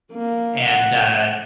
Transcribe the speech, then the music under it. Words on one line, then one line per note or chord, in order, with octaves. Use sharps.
And, uh,
A#3
F#5